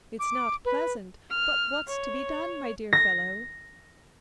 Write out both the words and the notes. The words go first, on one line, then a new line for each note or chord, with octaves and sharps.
It's not pleasant, but what's to be done, my dear fellow?
D6
B4
F6
C#5
A#6